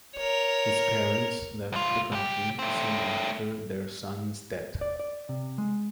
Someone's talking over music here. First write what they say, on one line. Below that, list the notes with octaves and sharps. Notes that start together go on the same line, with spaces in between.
His parents left the country soon after their son's death.
A#4 C#5
C2 F4
C#2 G4
A3 C4
D5
D5
C3
G#3